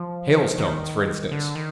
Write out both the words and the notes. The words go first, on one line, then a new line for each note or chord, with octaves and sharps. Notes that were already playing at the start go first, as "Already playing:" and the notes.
Hailstones, for instance.
Already playing: F3
D#3
D3
D#3